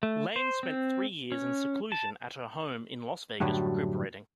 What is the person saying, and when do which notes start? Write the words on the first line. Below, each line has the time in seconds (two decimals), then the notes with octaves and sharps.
Lane spent three years in seclusion at her home in Las Vegas recuperating.
0.03 A3
0.36 C5
0.63 C4
1.32 C#4
1.92 A5
3.40 F#2 A2 D3 F#3 G3